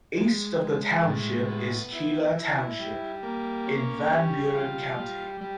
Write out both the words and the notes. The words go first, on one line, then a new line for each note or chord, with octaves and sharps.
East of the township is Keeler Township in Van Buren County.
G#3
G#3
A2
B3
E4
E4
G3
A#3
C#4
G3
F4
G3
G3